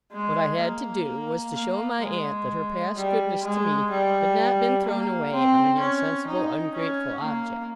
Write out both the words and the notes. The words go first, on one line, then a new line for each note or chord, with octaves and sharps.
What I had to do, was, to show my aunt that her past goodness to me had not been thrown away on an insensible, ungrateful object.
G#3
A#3
A#3
G#3
G3
G#3
G3
A#3
C4
C#4
D#4
C#4
A#3